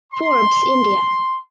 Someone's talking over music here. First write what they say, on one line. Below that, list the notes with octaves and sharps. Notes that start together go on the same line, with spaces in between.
Forbes India.
C6